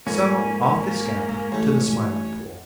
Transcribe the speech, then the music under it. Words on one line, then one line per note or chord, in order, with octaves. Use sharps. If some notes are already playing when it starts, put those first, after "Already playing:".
So off they scampered to the Smiling Pool.
F2 G#2 A#3 C#4 G#5
A1 A3 C#5